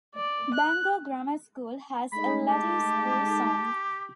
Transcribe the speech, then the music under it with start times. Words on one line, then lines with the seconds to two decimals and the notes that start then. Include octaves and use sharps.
Bangor Grammar School has a Latin school song.
0.15 D5
0.54 F#6
2.12 G#3 A3 D#4 B5
2.48 G4 A5